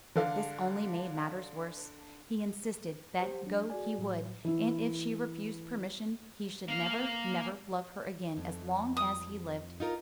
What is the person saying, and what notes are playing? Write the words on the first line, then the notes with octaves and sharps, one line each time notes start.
But this only made matters worse: he insisted that go he would, and if she refused permission he should never, never love her again as long as he lived.
D3 E3 D4 A4 F5
G4 C5
F#3 D4
F#4 G#4 D5 G#5
A2 F#3
E3 E4
A#3 F5
F2
D#6
D#4 F4 A#4